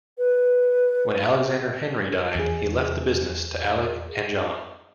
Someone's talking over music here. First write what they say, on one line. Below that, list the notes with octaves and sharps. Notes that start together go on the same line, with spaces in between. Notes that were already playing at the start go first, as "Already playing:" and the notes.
When Alexander Henry died, he left the business to Alick and John.
B4
E2 G#4